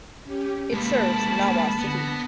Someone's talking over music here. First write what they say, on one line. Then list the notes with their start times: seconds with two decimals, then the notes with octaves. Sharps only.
It serves Nawa City.
0.24 C#4 G4
0.74 G#3 A#3 B4 A5 B5
1.79 D3 B3 A#6